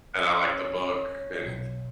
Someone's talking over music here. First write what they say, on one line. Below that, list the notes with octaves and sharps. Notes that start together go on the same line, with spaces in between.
and I liked the book and
C#4
B1